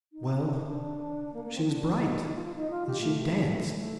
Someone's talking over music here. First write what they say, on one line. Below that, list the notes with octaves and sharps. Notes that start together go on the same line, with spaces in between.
Well, she was bright; and she danced.
D#4
D4
D#4
D4
A#3
A#3
C4
D4
D#4
D#4
F4
F4
D#4
F4
G4
A3
A3